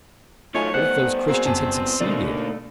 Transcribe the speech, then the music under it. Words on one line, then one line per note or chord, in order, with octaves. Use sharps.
What if those Christians had succeeded!...
F#3 A3 D#4 F4 C#5 G#5
G2 B3 C5 D5 F#5
A#3 C4 F#4 G#4
F#1 G#5 A5
B2 D3 A3 A#3 D#4 D5